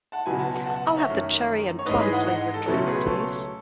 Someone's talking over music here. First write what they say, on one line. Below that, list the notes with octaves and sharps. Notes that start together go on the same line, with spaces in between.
I'll have the cherry and plum flavoured drink please.
F#5 A5
C#2 B2 F#3 G#5 B5
F#5 A5
F#5 A5
F#5 A5
D#5 F#5
C#5 E5
F#2 D#3 A3
C#5
G#2 E3 G#3 B4 D#5
G#4 B4
D#5 F#5
D#5 F#5
A4
C#2 B2 F#3 A3 C#4 A4
G#4 B4
A4 C#5